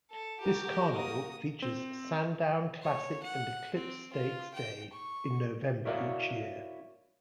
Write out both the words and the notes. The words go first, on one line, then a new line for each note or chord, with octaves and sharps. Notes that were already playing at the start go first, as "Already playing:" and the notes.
This carnival features Sandown Classic and Eclipse Stakes Day in November each year.
A4
F#4 G4 A#4
A#3 D#6
C4
C#5
F#5
C4
F4
G5
C#6
E4 F#4 A#4 C#5 D5 F5